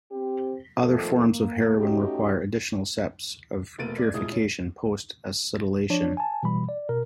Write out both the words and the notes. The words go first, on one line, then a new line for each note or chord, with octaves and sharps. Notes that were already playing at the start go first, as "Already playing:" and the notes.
Other forms of heroin require additional steps of purification post acetylation.
C4 G4
F2 A#2 D#3 F3 A3 A4
A#3
A3 C#4 D#4 F#4 G4
E1 A3 A#3 A6 D7 D#7
D5 G#6
D#1 A#2 G#3 E4 D#6
C#4
F3 D4 C#5
G#5 A5
B2 E3 G3 B5
D5
B2 A#4